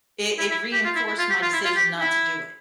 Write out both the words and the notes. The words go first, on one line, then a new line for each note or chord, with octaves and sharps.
it it reinforced my decision not to do it.
E4
E4
G4
F4
E4
E4
F4
G4
F4
E4
F4
G4
E4